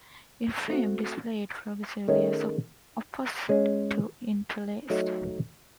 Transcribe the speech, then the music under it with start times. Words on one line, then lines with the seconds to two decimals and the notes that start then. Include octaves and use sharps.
The frames are displayed progressively as opposed to interlaced.
0.68 A3 C4 F#4
2.08 D#3 A3 C#4 G#4 C#5
3.49 G#3 C#4 G#4
4.90 F#3 A3 D#4 F#4 A4